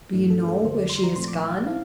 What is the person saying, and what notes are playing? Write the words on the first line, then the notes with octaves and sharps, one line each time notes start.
"Do you know where she has gone?"
G2 E3 A3 D4
A4
A4
F2 D3 G3 C5
D5
C6
A#5
A#2 F3 A3 C4 C6
D6
A5
C4 E4 F5